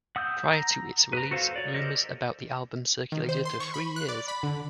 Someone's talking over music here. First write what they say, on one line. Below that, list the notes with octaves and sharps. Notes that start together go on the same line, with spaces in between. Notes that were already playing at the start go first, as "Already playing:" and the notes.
Prior to its release, rumors about the album circulated for three years.
F#5 D#6 E6 G6
A#5
B4 A#5
F#4 A4 C5 F5
C#5 D5
G4 A4 A#4 C5 D#5
D#3
C5
C6
C#6
B5
F#6
D5
B5
D3